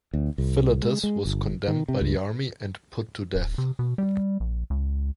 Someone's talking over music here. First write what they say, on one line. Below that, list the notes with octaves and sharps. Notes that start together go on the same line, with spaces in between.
Philotas was condemned by the army and put to death.
D2
C2
G#3
G#3
G1
D#3
C3
C#2
D1
C3
B2
G3
A#1
C#2